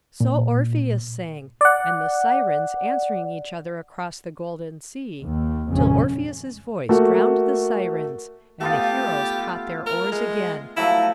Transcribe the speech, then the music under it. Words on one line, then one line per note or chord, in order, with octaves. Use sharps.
So Orpheus sang, and the Sirens, answering each other across the golden sea, till Orpheus's voice drowned the Sirens, and the heroes caught their oars again.
A#2
D5 F#5
D#2
G#1 F2 A#2 C#3 C#4
A3 A#3 F#4
A3 B3 F4 G4
A#4
G#3
F3 F#3 A3 E4